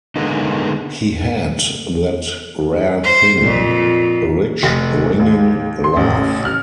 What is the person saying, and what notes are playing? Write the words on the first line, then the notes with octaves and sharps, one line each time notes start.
He had that rare thing, a rich, ringing laugh.
D3 G#3 A#3 B3 D#4
C5
F2 A#2
F1
D#2
C6
A1
F6